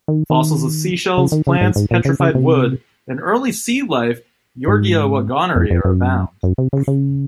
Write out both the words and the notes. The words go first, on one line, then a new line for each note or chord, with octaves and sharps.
Fossils of seashells, plants, petrified wood and early sea life Yorgia waggoneri are abound.
D#3
D#3
C#3
D#3
C#3
G#2
G#2
A#2
C#3
C#3
C3
G#2
F2
F2
F#2
F#2
C3
C#3
C#3